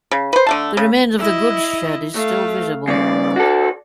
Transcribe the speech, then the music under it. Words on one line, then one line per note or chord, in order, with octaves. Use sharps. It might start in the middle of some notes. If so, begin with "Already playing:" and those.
The remains of the goods shed is still visible.
C#3
B4 C5
D3 A3 A5
C#3
E4 D#5
A3 F5
G2 C#3 D5
F#4 A4